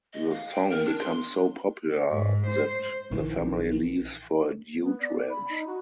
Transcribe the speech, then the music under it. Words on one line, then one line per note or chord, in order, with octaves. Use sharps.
The song becomes so popular that the family leaves for a dude ranch.
D#5
F5
G5
A#4
D4
C6
G#2
C5
A#1 D#3 E3
B3
D5
B5
D#4
F#4